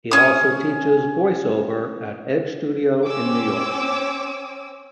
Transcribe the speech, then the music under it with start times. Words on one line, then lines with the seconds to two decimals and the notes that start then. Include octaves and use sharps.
He also teaches voice-over at Edge Studio in New York.
0.11 C#4 D#6
3.05 C4 C#4 C#5 D6 E6